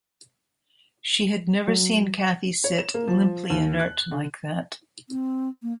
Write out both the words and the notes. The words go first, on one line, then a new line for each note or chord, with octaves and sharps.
She had never seen Kathy sit limply inert like that.
F#3
C#5
E7
A#3
F3
D#2
F#6
D3
C4
A#3